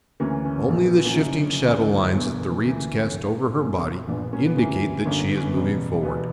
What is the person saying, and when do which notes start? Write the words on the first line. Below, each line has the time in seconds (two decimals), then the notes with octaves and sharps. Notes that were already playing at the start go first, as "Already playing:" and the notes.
Only the shifting shadow-lines that the reeds cast over her body indicate that she is moving forward.
0.20 D2 C#3 E3 A#3 C#4
0.45 A#3 C#4
0.68 A#1 A#2 A#3
0.81 B3
0.93 B3
1.05 A#3 C#4
1.17 F#1 F#2 C#3
1.66 D2 C#3 E3
2.14 E1 E2 D3 B3
2.27 A#3
2.38 B3
2.51 A#3
2.63 D2 C#3 E3
3.11 A#1 A#2
3.59 B1 A#2 A#3 C#4
4.08 A#1 A#2 B3 D4
4.21 B3
4.33 A#3 C#4
4.45 B3
4.56 D2 C#3 E3 A#3 C#4
5.05 G1 F#2 D3 A#3 C#4
5.30 B3
5.37 C#4
5.44 B3
5.54 E1 E2 C#3
6.03 E1 E2 B2 B3